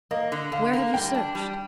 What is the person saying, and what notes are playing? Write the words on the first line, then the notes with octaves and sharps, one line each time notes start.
"Where have you searched?"
A#3 D#5
D3
D3 F5
A#3
G3 G5
D4
G3